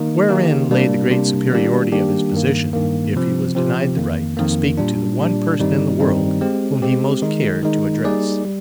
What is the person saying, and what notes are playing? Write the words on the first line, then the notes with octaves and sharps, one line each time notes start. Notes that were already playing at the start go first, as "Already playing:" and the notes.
Wherein lay the great superiority of his position, if he was denied the right to speak to the one person in the world whom he most cared to address?
Already playing: D#3 A#3 D#4
D#3 A#3 D#4 G4
C3 G3 A#3 D4
C3 G3 A#3 D4
D#3 G3 A#3 D4 G4
D#3 G3 A#3 D4 G4
G2 D#3 A#3
G2 D#3 A#3
C3 F3 C4
C3 F3 C4
F2 D#3 A#3
F2 D#3 A#3
A#2 G3 D4
A#2 G3 D4
G2 D#3 G3 C4 D#4
G2 D#3 G3 C4 D#4
G#3 C4 G4
G#3 C4 G4
D#3 G#3 D#4
D#3 G#3 D#4
G3 A#3 D#4 G#4 D5
G3